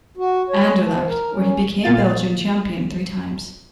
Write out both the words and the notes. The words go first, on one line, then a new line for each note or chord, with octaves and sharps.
Anderlecht where he became Belgian champion three times.
F#4
C#5
F3
A#4
C#4
A#2 A#3 F4 A6